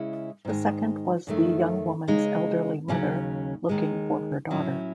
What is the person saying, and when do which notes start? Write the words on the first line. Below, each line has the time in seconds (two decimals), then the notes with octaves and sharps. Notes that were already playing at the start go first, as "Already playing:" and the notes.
The second was the young woman's elderly mother, looking for her daughter.
Already playing: C#3 G#3 C#4 E4
0.45 G#2 D#3 G#3
1.27 F#2 D#3 A3
2.08 C#3 G#3 D#4
2.88 D#2 C#3 F#3 C#4
3.69 D#2 D#3 G#3
4.50 A2 F#3 C#4 E4